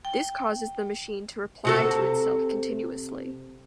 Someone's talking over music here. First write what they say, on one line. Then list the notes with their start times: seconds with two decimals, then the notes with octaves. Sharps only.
This causes the machine to reply to itself continuously.
0.05 G5
1.65 C3 F#4 A4